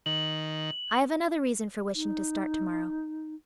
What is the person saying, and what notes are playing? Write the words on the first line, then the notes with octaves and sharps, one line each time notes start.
I have another reason for wishing to start to-morrow.
D#3 F#7
D#4